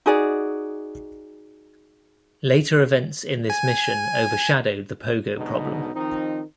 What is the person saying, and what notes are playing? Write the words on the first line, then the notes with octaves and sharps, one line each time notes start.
Later events in this mission overshadowed the pogo problem.
D#4 F#4 G#4 D5
G#5
B1 G#2 B2 D3 D#4
D#3 F3 C4 D#4